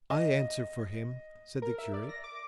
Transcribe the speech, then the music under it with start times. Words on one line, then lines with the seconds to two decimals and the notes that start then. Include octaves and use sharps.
"I answer for him," said the curate.
0.10 D#5
1.62 A#4
1.78 E5
1.94 D5
2.09 A#6
2.24 D6